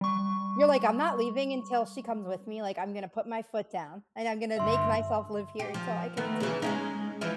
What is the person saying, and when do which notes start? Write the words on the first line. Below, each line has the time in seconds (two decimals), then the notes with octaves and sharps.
You're like, "I'm not leaving until she comes with me," like, "I'm gonna put my foot down and I'm gonna make myself live here until I can take her."
0.01 G3 C#6
4.57 G1 D3 E5 C6
5.60 G4
5.74 F3
6.17 D#3 A3 B3
6.40 C#3 E3
6.62 G#3 C#4 D#4
7.21 E3 F3 E4